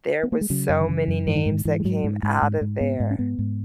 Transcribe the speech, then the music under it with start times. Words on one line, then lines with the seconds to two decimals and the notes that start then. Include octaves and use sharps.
There was so many names that came outta there.
0.23 B3
0.32 A#3
0.41 G#3
0.50 C#3 F#3
0.69 F#2
0.81 D#3
0.88 C#3 E3
1.08 F#2
1.27 G#2 E3
1.36 D#3
1.46 G#2
1.52 D#3
1.65 G#2 E3
1.80 G#3
1.84 G#2 F#3
2.04 G#2
2.23 G#2
2.42 G#2
2.61 G#2
2.81 G#2 B3
3.00 G#2
3.11 C#4
3.19 G#2 B3
3.39 G#2